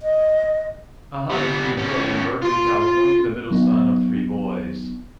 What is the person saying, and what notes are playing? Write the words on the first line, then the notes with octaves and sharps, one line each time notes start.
Ahanotu grew up in Berkeley, California, the middle son of three boys.
D#5
G3 B3
B3 C#4
F4 C6
F#3 B3 D#4